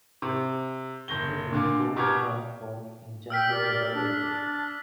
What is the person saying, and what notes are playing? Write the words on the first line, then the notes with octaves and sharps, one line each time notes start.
He did post-doc work in general relativity.
C3
F#1 G6 A#6 G7
A#2 D3 F5 D6
B2 G4 A#5 D6 F6 G#6
G5 E6 F6 B6
G4 A#4 D5
D4